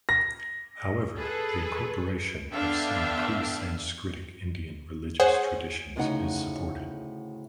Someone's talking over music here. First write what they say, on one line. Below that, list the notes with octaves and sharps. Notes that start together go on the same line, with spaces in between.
However, the incorporation of some pre-Sanskritic Indian religious traditions is supported.
A#6
G#4 A4 B4
D3 B3 D4 E5 F5 G5
G#4 C5 C#5 F#5 G#5
D2 A2 C#3 D#4 F#5